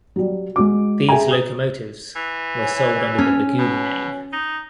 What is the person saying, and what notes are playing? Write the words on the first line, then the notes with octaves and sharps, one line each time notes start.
These locomotives were sold under the Baguley name.
F#3 G3
G#3 F#4 D6
G#4 E5 G5 G#5 A#5
D#6
E3
C#5 G#5
C#4
B2
D#4